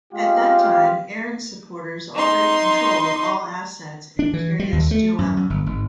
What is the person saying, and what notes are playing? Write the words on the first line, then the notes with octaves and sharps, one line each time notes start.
At that time, Aaron supporters already controlled all assets in Kiryas Joel.
G#3 C4 F4 G4 F5
D#4 C6
D4
E3
G3
D#2
A3
F#2
F#2
G1
G#1